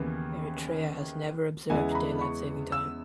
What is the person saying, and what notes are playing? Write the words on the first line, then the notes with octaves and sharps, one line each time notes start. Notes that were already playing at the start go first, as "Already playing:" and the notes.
Eritrea has never observed daylight saving time.
Already playing: D#2 C#3 E3 B3
E2 C#3 G#3 B3 E4 G#5
A#5
B5
C#6
E6